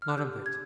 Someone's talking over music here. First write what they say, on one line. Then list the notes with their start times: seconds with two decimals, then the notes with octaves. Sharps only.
Not a bit.
0.02 F6
0.09 F#6
0.17 G4 G6
0.36 G4
0.46 G#6